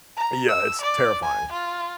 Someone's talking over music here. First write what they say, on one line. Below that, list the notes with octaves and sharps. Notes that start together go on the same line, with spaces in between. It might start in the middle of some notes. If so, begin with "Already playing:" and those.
Yeah, it's terrifying.
A#5
E6
D5
G#5
F4